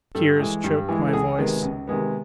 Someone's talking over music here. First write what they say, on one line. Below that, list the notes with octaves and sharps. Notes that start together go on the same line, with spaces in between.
Tears choked my voice.
G2 A4
E3 G#3
G2
E3 G#3
A4
C#2 G#4
C3 D#3 G#3 B3
C#2
C3 D#3 G#3 B3